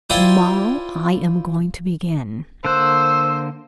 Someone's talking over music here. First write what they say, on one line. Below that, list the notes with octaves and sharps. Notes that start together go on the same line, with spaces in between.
To-morrow I am going to begin.
E4 F4 C5 D5 G5 G#5
D3 A#3 C5 E6 F#6